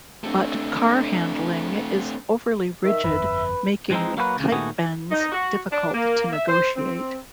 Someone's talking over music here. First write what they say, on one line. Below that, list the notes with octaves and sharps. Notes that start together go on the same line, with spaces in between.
But car handling is overly rigid making tight bends difficult to negotiate.
A3 C4 D4
D#3 E5 E6
G1 F2 B4
E3 F3 G#3 C4 D#4
F#3 A#3 F#4 G4 B4
D2 C#3
A#2 D#3 A3 B3 F#4 G#4
D#4
F#4
D4
A#3
E5
C5
C4